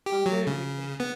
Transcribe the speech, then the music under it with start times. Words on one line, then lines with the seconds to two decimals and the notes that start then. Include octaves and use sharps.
'I'm very wicked.
0.06 G4
0.26 F#3
0.47 C#3
1.00 B3